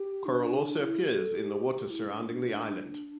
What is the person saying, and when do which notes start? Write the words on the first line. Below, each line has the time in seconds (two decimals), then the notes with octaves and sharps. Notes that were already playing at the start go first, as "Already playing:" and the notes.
Coral also appears in the water surrounding the island.
Already playing: G4
0.26 D4
0.81 E4
1.00 G4
1.18 A4
1.36 G4
1.91 E4
2.09 D4
2.28 D4
2.46 D4